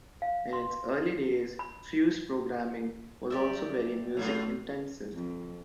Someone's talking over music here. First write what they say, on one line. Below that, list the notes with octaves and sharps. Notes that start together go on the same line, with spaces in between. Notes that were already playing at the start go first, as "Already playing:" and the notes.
In its early days, Fuse programming was also very music-intensive.
F5
C6
B5
F#3 G3 G4 D5 E5
A2 F#3 A3 C4 F4
F2